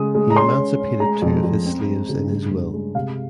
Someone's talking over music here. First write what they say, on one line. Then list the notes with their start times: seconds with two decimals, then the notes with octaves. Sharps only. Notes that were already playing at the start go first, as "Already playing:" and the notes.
He emancipated two of his slaves in his will.
Already playing: C#3 G#3 D#6
0.15 G#3
0.30 A#5
0.36 C#4 C6
0.57 C#4
0.79 C#4
1.00 G#3 A#5
1.22 F2
1.43 F2
1.65 C4
1.87 G#3
2.09 C#3
2.30 G2
2.51 G2
2.74 G#3
2.95 C3 F5